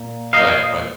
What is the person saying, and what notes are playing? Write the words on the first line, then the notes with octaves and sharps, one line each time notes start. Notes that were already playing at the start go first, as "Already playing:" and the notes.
Right, right.
Already playing: A#2
D#5 F5